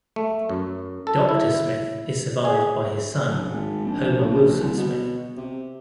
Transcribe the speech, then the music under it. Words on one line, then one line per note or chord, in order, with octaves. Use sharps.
Doctor Smith is survived by his son, Homer Wilson Smith.
A3
F#2
A4
E4
G#4
D1
G#1
A#1
A#1
C2
B2
C3